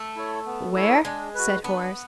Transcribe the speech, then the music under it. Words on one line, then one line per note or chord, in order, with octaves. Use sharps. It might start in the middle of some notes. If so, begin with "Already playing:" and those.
"Where?" said Horace.
Already playing: A3
E4 A4 C#5
B3
E4 A4 C#5
G#3 D4
F#4 B4
B3 D4